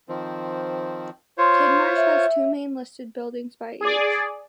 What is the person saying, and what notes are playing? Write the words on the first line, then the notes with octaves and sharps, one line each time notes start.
Tidmarsh has two main listed buildings by age.
D#3 F3 C4
F4 C5 C#5 C6
E5
G#4 D5